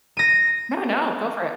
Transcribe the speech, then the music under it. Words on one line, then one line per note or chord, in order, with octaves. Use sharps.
No, no, go for it.
A#6 D#7